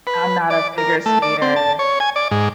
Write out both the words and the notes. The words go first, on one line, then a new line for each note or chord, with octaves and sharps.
I'm not a figure skater.
B4
D5
A#4
A3
D5
C4
A5
C#5
G#5
D5
G#2